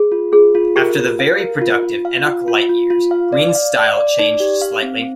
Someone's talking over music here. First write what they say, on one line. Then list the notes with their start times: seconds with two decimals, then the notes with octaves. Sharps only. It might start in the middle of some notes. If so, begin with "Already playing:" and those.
After the very productive Enoch Light years, Green's style changed slightly.
Already playing: G#4
0.12 F4
0.32 F4 G#4
0.55 F4
0.76 G4 A#4
0.97 F4
1.19 F5
1.40 A#4
1.62 F4
1.83 F4
2.05 F5
2.25 F4
2.48 F4
2.69 F4
2.90 F4
3.11 F5
3.32 D5
3.55 F5
3.76 D5
3.97 D5
4.19 D#4 D5
4.40 G4
4.62 F5
4.83 C4